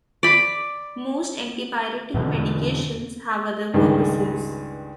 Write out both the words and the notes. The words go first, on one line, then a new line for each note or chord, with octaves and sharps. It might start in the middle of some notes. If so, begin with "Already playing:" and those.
Most antipyretic medications have other purposes.
D5 B5
E2 B2 D3
C#2 G2 D#3 G#3